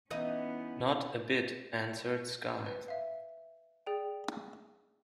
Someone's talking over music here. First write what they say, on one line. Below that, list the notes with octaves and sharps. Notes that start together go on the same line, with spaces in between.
"Not a bit," answered Skye.
E3 B3 C#4 D#4 D#5
B4
E5 F5
G#4 D5 G5